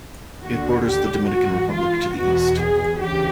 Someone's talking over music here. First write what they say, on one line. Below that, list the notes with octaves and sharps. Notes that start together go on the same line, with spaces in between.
It borders the Dominican Republic to the east.
D#2 F#4
D3
G4
G#2 E3 F#4
F4
E2 B2 F#4
G#4
D2 C#3 E3 G4